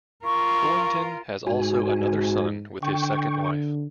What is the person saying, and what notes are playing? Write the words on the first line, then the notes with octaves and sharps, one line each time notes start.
Fullington has also another son with his second wife.
F4 A#4 C#6
G#2 F#4 G#5
D3 G5 C#6